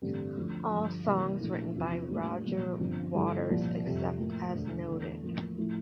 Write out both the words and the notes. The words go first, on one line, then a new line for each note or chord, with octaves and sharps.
All songs written by Roger Waters except as noted.
A1 G2 D3 G3 C4
D2 D3 F3
G2 D3 F3
C2 C3 E3 A#3
A#1 A#2 A3 E4
E2 C3 F3 C4 F4
A2 G3 A#3 D4 F4
C2 A#2 F3
G1 G2 F3 C4
G2 D3 F3 A3 E4
C2 A#2 F3
F2 C3 G3
A2 F3 A#3
E1 D2 D3
E2 D3 A3
A1 A2 F3 A#3
A2 F3 A3 E4